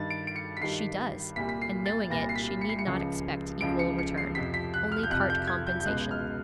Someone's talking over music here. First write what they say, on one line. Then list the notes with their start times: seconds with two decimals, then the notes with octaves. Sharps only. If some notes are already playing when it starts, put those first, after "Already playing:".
'She does; and knowing it, she need not expect equal return--only part compensation.
Already playing: G2 D#3 G3 A6
0.10 D7
0.27 D7
0.36 C#7
0.57 B6
0.61 G2 D#3 G3 C7
1.36 C2 A#2 G3 B6
1.49 B6
1.61 C7
1.86 A6
2.10 C2 A#2 G3 A#6
2.29 C7
2.36 B6
2.61 C#7
2.69 C7
2.79 C#7
2.86 C#2 C#3 F3
3.61 C#2 C#3 F3 D7
3.79 C#7
3.99 C#7
4.17 C7
4.35 F2 C3 F3 B6
4.54 B6
4.74 F#6
4.92 F6
5.03 G6
5.10 F2 C3 F3 F#6
5.30 G6
5.47 G#6
5.67 G6
5.80 G6
5.85 C#2 B2 G#3 F#6
6.11 F6